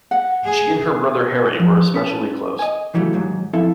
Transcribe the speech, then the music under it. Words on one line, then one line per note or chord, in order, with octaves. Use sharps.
She and her brother Harry were especially close.
F#5
G#4
F3
C#4 B4 A5
D#5 G#5
C#3 E3 F#3 G3 A3
D#2 G#2 F#3
F3 C4 E4 A4 E5 F5